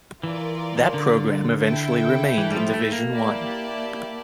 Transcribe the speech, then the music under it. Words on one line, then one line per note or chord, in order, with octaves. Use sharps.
That program eventually remained in Division One.
E3 F4 A#4 D5
D3
E4 A4 E5 G5
E3
G3
F3
A3
A#3
E4 G4 D5 A5